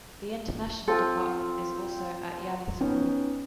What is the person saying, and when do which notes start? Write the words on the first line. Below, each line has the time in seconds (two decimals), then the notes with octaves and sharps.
The international department is also at Yali School.
0.88 C4 F4 A4
2.81 B3 C#4 D#4 G5